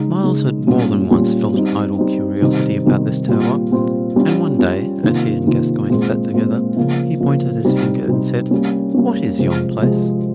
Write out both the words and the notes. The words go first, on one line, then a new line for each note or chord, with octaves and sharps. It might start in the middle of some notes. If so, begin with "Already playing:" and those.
Myles had more than once felt an idle curiosity about this tower, and one day, as he and Gascoyne sat together, he pointed his finger and said, "What is yon place?"
Already playing: C#3 G#3 D#4
C#3 G#3 D#4
A#2 G3 C#4 F4
A#2 G3 C#4 F4
G3 C4 D#4
G3 C4 D#4
C3 D#3 G3 C4 D#4
C3 D#3 G3 C4 D#4
A#2 G3 C4 F4
A#2 G3 C4 F4
G3 C#4 F4
G3 C#4 F4
C3 D#3 A#3 F4
C3 D#3 A#3 F4
A#2 G#3 C4 F4
A#2 G#3 C4 F4
C#3 F3 A#3
C#3 F3 A#3
C3 G3 C4 D#4
C3 G3 C4 D#4
G3 A#3 C#4
G3 A#3 C#4
C3 F3 G#3 C4
C3 F3 G#3 C4